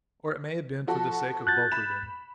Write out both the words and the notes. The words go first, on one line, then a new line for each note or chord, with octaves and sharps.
Or it may have been for the sake of both of them.
F3 F#4 A4
F#6 G6 A6
B5 E7